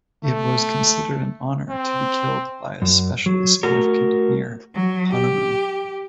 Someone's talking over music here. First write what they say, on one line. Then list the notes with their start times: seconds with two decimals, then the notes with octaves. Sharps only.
It was considered an honour to be killed by a specially significant mere pounamu.
0.25 A3
1.70 C4
2.82 F#2
3.26 F#3
3.63 A3 F#4 A#4
4.75 F#3
5.11 G4